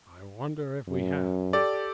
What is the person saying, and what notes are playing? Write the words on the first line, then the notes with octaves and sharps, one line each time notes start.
"I wonder if we have?" he said.
F#2
G4 A4 D5